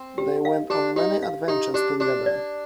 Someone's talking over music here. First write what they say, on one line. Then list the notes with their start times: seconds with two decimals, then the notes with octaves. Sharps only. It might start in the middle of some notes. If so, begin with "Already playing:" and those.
They went on many adventures together.
Already playing: C4
0.18 G4
0.45 F5
0.70 D4 G4
0.96 D#4 G4
1.23 F5
1.48 D#4 G4
1.74 D4 G4
2.00 D4 G4
2.26 D5